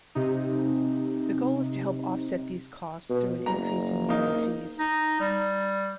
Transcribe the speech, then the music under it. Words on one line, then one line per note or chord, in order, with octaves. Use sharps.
The goal is to help offset these costs through an increase in union fees.
C3 D#4
B2
F#1 A#5
A#3 D#4
D#4
G3